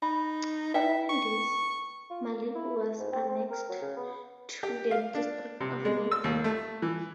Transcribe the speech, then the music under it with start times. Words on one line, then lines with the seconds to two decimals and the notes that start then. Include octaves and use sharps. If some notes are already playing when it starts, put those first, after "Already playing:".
Following this, Maliku was annexed to the District of Malabar.
0.02 D#4 B5
0.74 B4 E5 G5
1.10 C#6
2.10 F4
2.33 A#3
2.55 E4
2.76 A3
2.99 G#2
3.12 C4
3.29 C4
3.51 A#4
3.69 F#3
3.82 C#3
3.97 B3
4.63 G4
4.91 F5
5.14 D4
5.60 C3
5.85 G#3
6.11 E6
6.24 D#2
6.44 A3
6.82 E3